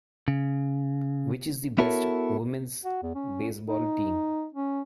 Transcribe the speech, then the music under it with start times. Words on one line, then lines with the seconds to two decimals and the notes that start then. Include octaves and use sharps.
Which is the best women's baseball team?
0.28 C#3
1.78 B3 E4 F#4 A4 A#4 C#5
2.84 F#4
3.02 E2
3.15 C#4
3.68 D#4
4.54 C#4